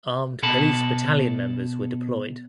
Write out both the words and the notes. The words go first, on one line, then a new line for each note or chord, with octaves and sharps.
Armed Police Battalion members were deployed.
B2 A4 A5 B5